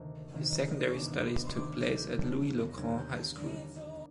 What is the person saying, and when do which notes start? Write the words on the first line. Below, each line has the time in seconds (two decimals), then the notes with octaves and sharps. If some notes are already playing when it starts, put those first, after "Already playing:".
His secondary studies took place at Louis-le-Grand high school.
Already playing: D2 C3 D#3 A#3 D4
0.33 D2 C3 D#3 A#3 D4
0.92 D2 C3 D#3 A#3 D4 D6
1.47 C6
1.55 D2 C3 D#3 A#3 D4 D6
1.75 F6
1.96 G6
2.17 D#2 D3 G3 D4
2.69 A#6
2.77 D#2 D3 G3 D4 G#6
2.98 G6
3.18 G#6
3.38 D#2 D3 G3 D4 A#6